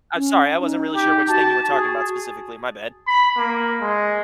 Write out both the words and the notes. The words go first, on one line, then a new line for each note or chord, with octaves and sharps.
I'm sorry, I wasn't really sure which thing you were talking about specifically, my bad.
C#4
D#4
G4
F#4 A5
G#4
B5
A#3
G#3